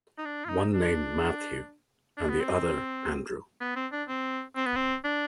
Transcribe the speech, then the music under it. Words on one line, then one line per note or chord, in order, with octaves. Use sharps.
One named Matthew and the other Andrew.
D#4
D4
F4
D#4
D4
D4
B3
C4
B3
C4
D4
C4
C4
B3
C4
D4